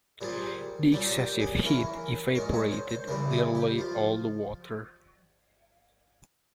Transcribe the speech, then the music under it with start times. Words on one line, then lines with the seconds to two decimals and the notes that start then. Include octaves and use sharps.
The excessive heat evaporated nearly all the water.
0.21 A#2 G3 C4 G#4
0.92 A#2 G3 C#4 G4
1.17 G4
1.40 G#4
1.64 E3 A#3 C#4 A#4
2.35 A#2 G#3 C#4 A#4
2.54 C#5
2.71 C5
2.89 C5
3.07 C#3 E3 G3 A#4
3.30 G#4
3.55 G4
3.78 F3 F4